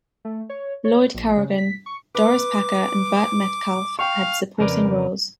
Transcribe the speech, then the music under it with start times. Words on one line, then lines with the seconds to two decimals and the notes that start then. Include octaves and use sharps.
Lloyd Corrigan, Doris Packer, and Burt Metcalfe had supporting roles.
0.25 A3
0.49 C#5
0.84 C#5
1.14 A#1
1.37 C#3
1.58 B6
1.86 C#6
2.15 B4 D6
3.99 F5 G5 C#6
4.58 F2 C#3 A#4 B4 D5